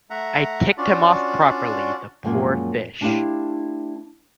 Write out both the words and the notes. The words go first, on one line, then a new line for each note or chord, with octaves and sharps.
I ticked him off properly, the poor fish.
A3 E5 F#5 A#5
C#4 D4 F4 F#4 D5
F#2 A#2 F3 G#3 A#3
A3 D4 E4 G4 C5 F5